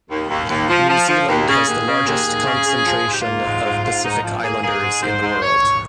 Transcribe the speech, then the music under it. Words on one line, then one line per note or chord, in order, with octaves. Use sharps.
New Zealand has the largest concentration of Pacific Islanders in the world.
D#2
D#2
D#2
F3
F3
F3
D#2
C#3 G#4
D#2
C#3
D#2
D#2
C#3
C#3
F3
G#2 F4
G4
F4
A#3
G#2
G#2
G#2 F4
G#2 D#4
F3
A#3 G#4
A#3 G#4
G#2
G#2 C5
G#2
C#5